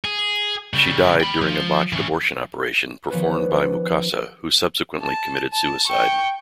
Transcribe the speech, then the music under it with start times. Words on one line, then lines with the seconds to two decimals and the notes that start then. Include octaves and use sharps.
She died during a botched abortion operation performed by Mukasa, who subsequently committed suicide.
0.05 G#4
0.74 C#3 G3
1.21 G5 B5
1.41 F3
1.93 E3 C#4
3.10 D#3 F3 B3 C#4 F#4 B4
5.02 A5
5.53 A5
5.87 G5 C#6